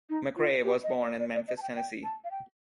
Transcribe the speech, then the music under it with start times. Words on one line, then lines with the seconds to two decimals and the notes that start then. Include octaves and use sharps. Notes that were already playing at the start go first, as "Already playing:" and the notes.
McRae was born in Memphis, Tennessee.
0.09 D#4
0.36 F4
0.64 G4
0.83 D#5
1.02 D5
1.19 D5
1.34 D5
1.48 D#5
1.57 A5
1.62 G5
1.76 G5
2.04 A5
2.24 F5
2.31 G5